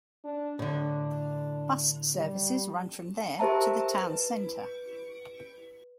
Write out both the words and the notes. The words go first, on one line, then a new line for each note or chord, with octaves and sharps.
Bus services run from there to the town centre.
D4
A2 D3 D4
G3
G4 A#4 C5 E5 A5 A#5
B4